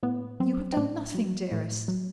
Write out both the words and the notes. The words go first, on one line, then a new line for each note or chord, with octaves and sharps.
"You have done nothing, dearest."
A2 B3
F#3 C4
C4
A2 D4
F#3
A2
F#3